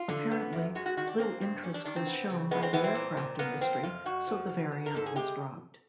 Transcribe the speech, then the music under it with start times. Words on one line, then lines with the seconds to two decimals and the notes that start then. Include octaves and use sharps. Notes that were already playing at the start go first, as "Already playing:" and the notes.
Apparently, little interest was shown by the aircraft industry, so the variant was dropped.
Already playing: F4
0.09 D3
0.31 B3
0.53 F#2
0.75 G#3 F#4
0.86 F#4
0.97 D#3 F#4
1.07 D4
1.18 A#3 C4
1.41 G2 C4
1.63 G3 C#4
1.74 D4
1.85 D#3 D4
1.96 C4
2.07 B3
2.30 C#3
2.51 G#3 B3
2.63 C4
2.73 E3 B3
2.84 C4
2.95 A#2
3.17 A#2
3.39 A#3 B3
3.61 F3 C4
3.83 F2 F4
4.06 F2 F#4
4.27 F3
4.49 C#3
4.72 B3
4.86 A#4
4.94 G#2 A4
5.06 G#4
5.16 G#3 G4